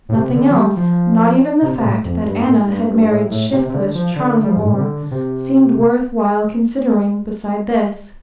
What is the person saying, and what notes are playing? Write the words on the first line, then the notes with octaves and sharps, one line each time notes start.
Nothing else, not even the fact that Anna had married shiftless Charlie Moore, seemed worth while considering beside this.
A2
C3
D3
F3
G3
F3
C3
C3
A2
F2
G2
A2
G2
G2
A2
A2
C3
C3
D3
F3
D3
G3
F3
G2
A2
C3
D3
C3